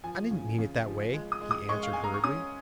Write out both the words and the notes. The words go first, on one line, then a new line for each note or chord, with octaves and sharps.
'I didn't mean it that way,' he answered hurriedly.
F3 G#5
C#3
C#3
F3
G#3
D#6
G#3
D#6
G#3 C#6
F5
G#3 G#5
A#5
C#6
C#4 D#6